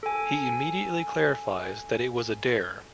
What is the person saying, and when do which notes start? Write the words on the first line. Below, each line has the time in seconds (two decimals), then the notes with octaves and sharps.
He immediately clarifies that it was a dare.
0.03 A4 G#5